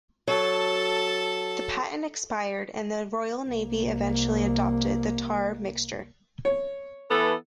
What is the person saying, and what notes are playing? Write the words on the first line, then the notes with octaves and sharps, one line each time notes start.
The patent expired, and the Royal Navy eventually adopted the tar mixture.
F#3 A4 A5
C2 A#3
C#5
E3 B3 A4